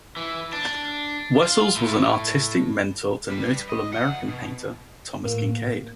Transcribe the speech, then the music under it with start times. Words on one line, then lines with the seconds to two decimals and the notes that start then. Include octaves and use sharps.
Wessels was an artistic mentor to notable American painter Thomas Kinkade.
0.17 E3
0.53 D4
1.43 F4
1.76 A2
3.29 G3 B4
3.69 D#5
3.93 E2 F#5
4.28 B2
5.23 A2 A#3